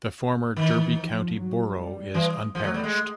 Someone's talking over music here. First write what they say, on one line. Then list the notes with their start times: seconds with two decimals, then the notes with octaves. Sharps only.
The former Derby County Borough is unparished.
0.56 D#3 E3
0.96 F3
1.35 F#3
1.75 G3
2.14 E3
2.55 F3 A3
2.64 F#3
2.74 G3
2.84 G#3